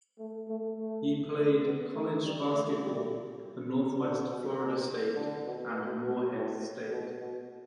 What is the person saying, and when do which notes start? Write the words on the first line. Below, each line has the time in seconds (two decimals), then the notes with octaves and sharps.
He played college basketball for Northwest Florida State and Morehead State.
0.19 A3
0.48 A3
0.78 A3
1.36 A3
1.65 B3
1.94 A3
2.24 G3
2.53 A3
2.82 G3
3.99 D3
4.27 B2
4.58 B2
5.15 D3
5.45 B2
5.73 B2
6.03 B2
6.33 A2
6.90 B2
7.20 B2